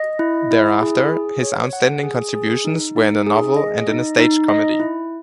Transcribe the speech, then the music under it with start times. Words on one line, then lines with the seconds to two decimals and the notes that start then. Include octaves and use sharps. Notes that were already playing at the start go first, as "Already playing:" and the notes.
Thereafter, his outstanding contributions were in the novel and in a stage comedy.
Already playing: D#5
0.19 E4
0.51 E4
0.81 G#4
1.12 G#4
1.43 C#5
1.73 F#5
2.03 G#4
2.35 G#4
2.65 D#4
2.96 D#4
3.27 G#4
3.57 D#5
3.88 D#4
4.18 D#4
4.48 D#5
4.80 E4